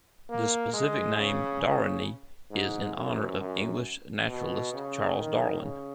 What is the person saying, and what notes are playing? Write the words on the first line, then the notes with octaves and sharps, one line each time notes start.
The specific name, "darwini", is in honor of English naturalist Charles Darwin.
A#3
G#3
C#3
C#3
G#2
F#2
F#2
B2
C#3
D#3
C#3